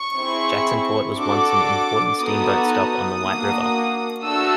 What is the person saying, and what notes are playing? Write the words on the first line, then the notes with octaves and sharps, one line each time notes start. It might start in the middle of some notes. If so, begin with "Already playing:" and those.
Jacksonport was once an important steamboat stop on the White River.
Already playing: C#6
C4 E4 G#4
D4 F#4 A4 D6
B3 D#4 F#4 A4 D#6
D#6
A#3 D4 F#4
A3 D4 F#4 A4 E6